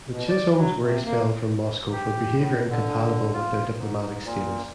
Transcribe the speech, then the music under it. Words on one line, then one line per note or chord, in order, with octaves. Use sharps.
The Chisholms were expelled from Moscow for behaviour incompatible with their diplomatic status.
B2
D5
F#3
C3
A#3
G4
A2
D3
F4
G#2
A#2